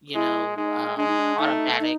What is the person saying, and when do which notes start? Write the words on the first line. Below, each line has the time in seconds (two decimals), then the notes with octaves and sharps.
you know, um, automatic
0.14 G#3 E4
0.56 G#3 D#4
0.97 G#3 D4
1.08 D#4
1.19 D4
1.39 A3 D#4
1.80 D#4